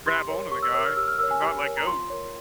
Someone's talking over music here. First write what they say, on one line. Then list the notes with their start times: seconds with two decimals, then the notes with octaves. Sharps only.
grab on to the guy and not let go.
0.06 G4 C6
0.29 A#4 C#5
0.51 G4 C#6
0.63 E6
0.74 A#4 C#5 E6
0.85 F6
0.97 G4 E6
1.08 F6
1.19 A#4 C#5 E6
1.31 G#5
1.42 G4
1.65 A#4 C#5
1.77 A#5
1.87 F4 C6
2.10 A#4 C#5